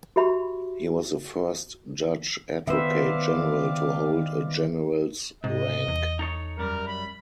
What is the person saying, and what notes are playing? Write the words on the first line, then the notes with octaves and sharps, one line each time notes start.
He was the first Judge Advocate General to hold a general's rank.
F#4 G4 E5 B5
D#3 B3 B4 C5 D5 E5 F5 D6
G#2 C3 D#5
E2
D#4 A4 C#5
F#2 G3 A#4
B5